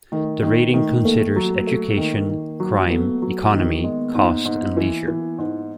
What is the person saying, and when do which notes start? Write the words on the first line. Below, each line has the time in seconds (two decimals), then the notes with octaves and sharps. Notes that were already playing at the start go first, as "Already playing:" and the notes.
The rating considers education, crime, economy, cost and leisure.
0.12 D#3 A3
0.43 D#3 A#3
0.74 D#3 A3
1.05 A3 A#3
1.36 F#3
1.67 A3
1.98 D#3
2.29 D#3
2.60 F#3
2.90 A3 B3
3.22 F#3
3.53 D#3
3.84 G#3
4.15 G#2
4.45 G#2
4.77 E3
5.08 E3
5.38 G#2